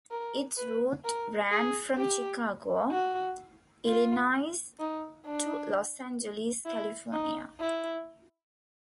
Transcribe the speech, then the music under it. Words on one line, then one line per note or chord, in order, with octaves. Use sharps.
Its route ran from Chicago, Illinois to Los Angeles, California.
A#4
B4
A#4
G#4
G4
F#4
F4
D#4
D4
E4
D#4
E4